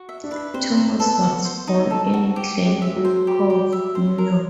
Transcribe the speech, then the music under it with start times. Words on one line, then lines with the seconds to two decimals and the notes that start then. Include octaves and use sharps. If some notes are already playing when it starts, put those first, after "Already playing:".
Thomas was born in Glen Cove, New York.
Already playing: F#4
0.09 E5
0.24 D4
0.31 B4
0.54 C4 C5
0.77 D#4
0.99 B3 A4
1.22 F#4
1.45 C5
1.68 D#4
1.91 A4
2.14 F#4
2.36 G4
2.59 G4
2.66 G#3
2.82 E5
2.96 F#3
3.05 C5
3.27 G4
3.50 G4
3.72 E5
3.95 C5
4.18 A#4